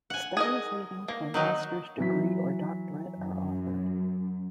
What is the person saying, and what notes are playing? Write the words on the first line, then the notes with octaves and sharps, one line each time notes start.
Studies leading to a master's degree or doctorate are offered.
F#5 G#5
G#4 A#4 D#5
A#3
D#3 F#3 D#4
E3 F#3 B6
F#2